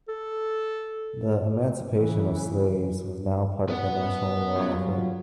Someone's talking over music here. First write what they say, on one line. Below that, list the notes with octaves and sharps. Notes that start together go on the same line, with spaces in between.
The emancipation of slaves was now part of the national war effort.
A4
C#3 E3
B2 B3 F#5
F#2 F#3 G3 F4 F#4